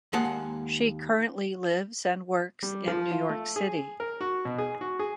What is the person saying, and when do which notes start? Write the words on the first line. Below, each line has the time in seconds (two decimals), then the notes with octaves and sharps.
She currently lives and works in New York City.
0.13 D#2 G#3 A#3 G#4 F#5 A5
2.63 G3
2.88 F3
3.11 F4
3.29 A3
3.56 G#4
4.00 A#4
4.21 F#4
4.45 B2
4.58 G#4
4.81 F#4
4.99 G#4